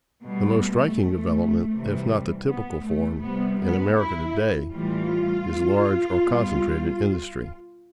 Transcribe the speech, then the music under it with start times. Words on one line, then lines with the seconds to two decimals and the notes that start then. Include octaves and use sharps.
The most striking development, if not the typical form, in America to-day is large or concentrated industry.
0.22 B2 G3 A3
1.73 C3 E3 G3
2.47 B3
2.85 A3
3.22 C3 G3 B3
3.59 B3
3.98 E4
4.72 A2 E3 G3 F4
6.22 B2 G3